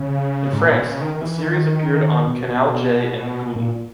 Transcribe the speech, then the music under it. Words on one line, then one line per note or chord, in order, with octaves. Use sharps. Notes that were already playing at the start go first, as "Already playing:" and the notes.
In France, the series appeared on Canal J and Gulli.
Already playing: C#3
G#2
A#2
B2
C#3
D#3
D#3
E3
D#3
B2
A#2